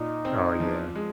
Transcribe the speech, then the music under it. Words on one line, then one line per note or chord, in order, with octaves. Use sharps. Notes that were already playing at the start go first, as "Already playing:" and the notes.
Oh yeah.
Already playing: A#2 D#4
C4
F3
G#3